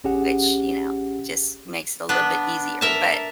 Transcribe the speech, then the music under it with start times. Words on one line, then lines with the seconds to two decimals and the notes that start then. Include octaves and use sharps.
which, you know, just makes it a little bit easier, but,
0.04 A1 C#4 G4 G#4 F#5
2.09 B3 D4
2.81 A#4 E5 A5